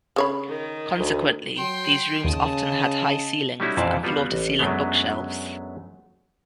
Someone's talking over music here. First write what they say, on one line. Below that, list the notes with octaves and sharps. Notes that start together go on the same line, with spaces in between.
Consequently, these rooms often had high ceilings and floor-to-ceiling bookshelves.
C#3 C#5 B5
D#3
D2
F#3 G5 C6
D#2 C#3 D#5 A5
G3 A3 C#4 D#4 E4 F#4
F2 A#2 E3 E4 F4 A5
G3 A#3 B3 F4 F#4
A1
F#2 F#3 G#3 A3 B3 D4